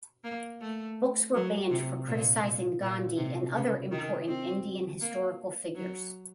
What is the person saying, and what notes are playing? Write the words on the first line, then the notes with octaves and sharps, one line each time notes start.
Books were banned for criticizing Gandhi and other important Indian historical figures.
A#3
A3
F#3
C3
A#2
A#2
A#2
C3
C#3
D#3
C4
A#3
F#3